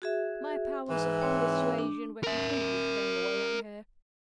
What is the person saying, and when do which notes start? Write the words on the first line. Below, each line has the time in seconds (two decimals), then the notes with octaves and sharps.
My powers of persuasion were completely thrown away on her.
0.02 F#4 G#4 E5
0.90 G#2 E3
1.20 C4 C#5 G5
1.78 D4
2.23 A#4 E5